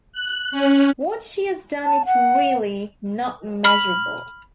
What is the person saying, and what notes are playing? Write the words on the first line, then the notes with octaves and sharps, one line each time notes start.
What she has done is really not measurable.
F#6
C#4
A5
F#5
B5 F6